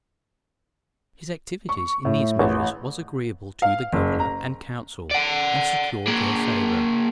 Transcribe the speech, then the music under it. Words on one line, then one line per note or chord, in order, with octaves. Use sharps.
His activity in these measures was agreeable to the governor and council, and secured their favor.
C#6
A2
A1
F5
F#1
A#5
D5 F#5
A#3 G#4